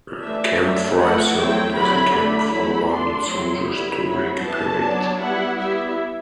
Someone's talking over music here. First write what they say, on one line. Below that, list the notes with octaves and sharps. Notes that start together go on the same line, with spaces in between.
Camp Fry served as a camp for wounded soldiers to recuperate.
E3 A3 D4 E5
F#3 A3 D4
E3 A3 C4 F#5
F#3 A3 C4 E4 G5
D3 F#3 C4 E4 B5
D3 A3 D4 B5
F#3 A3 E4
D3 A3 D4 C6
F#3 C4 E4
D3 G3 B3 E4 B5
F#3 C4 E4
E3 B3 E4 A5
F#3 B3 D4
G3 B3 E4 F#5
G3 B3 E4 E5